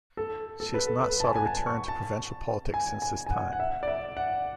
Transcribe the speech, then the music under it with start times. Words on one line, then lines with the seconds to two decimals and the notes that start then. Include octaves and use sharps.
She has not sought a return to provincial politics since this time.
0.17 A4
0.60 A4
0.74 B4
0.87 A4
1.03 B4
1.20 A5
1.24 G#5
1.36 G#5
1.46 A5
1.67 C#6
1.88 A5
2.74 G#5
3.02 G#5
3.26 G#5
3.31 F#5
3.53 F#5
3.60 E5
3.83 D5
3.88 E5
4.17 F#5